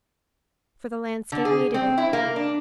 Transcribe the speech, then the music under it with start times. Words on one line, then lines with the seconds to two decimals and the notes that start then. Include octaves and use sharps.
For the landscape needed it.
1.32 D3
1.45 G#4
1.74 C4
1.98 E4
2.13 A#3
2.36 D4